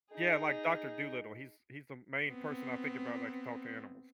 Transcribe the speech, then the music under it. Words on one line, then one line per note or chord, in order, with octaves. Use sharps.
Yeah, like, Doctor Dolittle. He's he's the main person I think about that can talk to animals.
D#4 G#4
B3 C4